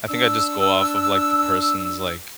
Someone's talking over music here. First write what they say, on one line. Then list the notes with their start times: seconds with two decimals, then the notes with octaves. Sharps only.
I think I just go off of, like, the person's, like,
0.08 D4 E6